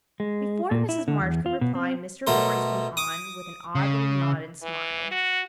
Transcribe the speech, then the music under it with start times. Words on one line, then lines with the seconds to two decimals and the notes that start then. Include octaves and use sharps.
Before Mrs. March could reply, Mr. Laurence went on with an odd little nod and smile...
0.20 G#3
0.71 A#2
0.89 E4
1.08 D3
1.20 E2
1.46 F4
1.61 B2
1.75 C4
2.27 B2 A3 A#4 C6
2.97 D6 D#6
3.75 C#3
4.62 E3
5.11 F#4